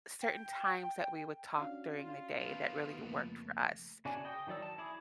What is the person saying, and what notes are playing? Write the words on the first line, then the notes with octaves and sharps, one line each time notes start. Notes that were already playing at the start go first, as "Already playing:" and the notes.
certain times that we would talk during the day that really worked for us.
G5
C#4 D4 F#4 F5
F4
F3 B3
F2 C#3 A3 A#3
C#3 F#4 D5 G#5 A5
D#5 G5
D#3 F#3 D#4 D5 E6
A5
E4 G#4 D6